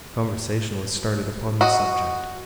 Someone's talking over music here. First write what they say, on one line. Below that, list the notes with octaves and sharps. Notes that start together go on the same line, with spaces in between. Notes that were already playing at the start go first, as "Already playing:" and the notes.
Conversation was started upon this subject.
F#4 D#5